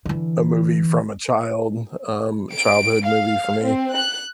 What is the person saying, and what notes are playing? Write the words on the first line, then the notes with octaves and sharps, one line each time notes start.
a movie from a child, um, childhood movie for me,
D3 E3
D7
F5
C4
F#6